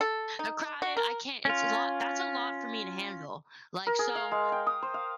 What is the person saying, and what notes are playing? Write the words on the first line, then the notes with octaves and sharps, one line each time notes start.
they're crowded. I can't, it's a lot that's a lot for me to handle. Like, so
A4
D#4
F#4
A#4
C#4 F4
A#4
G#4
F5
G#3
G5
D#6
C5
F5